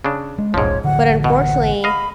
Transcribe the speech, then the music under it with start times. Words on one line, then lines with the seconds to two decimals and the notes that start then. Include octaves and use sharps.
But unfortunately,
0.04 C#3 D4
0.38 G#3
0.54 D1 A#1 G#2 F3 C#4 C#5
0.84 A1 D3 F#5
1.24 B2 F#5
1.84 D#5 F5 B5